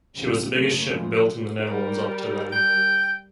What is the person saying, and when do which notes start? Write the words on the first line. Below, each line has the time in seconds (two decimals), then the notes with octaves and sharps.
She was the biggest ship built in the Netherlands up to then.
0.14 F#1 C#2 F#2 C3 F3 B3
0.53 F#1 F#2 C#3 A3 A#3 C#4
0.88 C#3 E3 F3 G#3 A3
1.61 G3 A#4
2.52 G5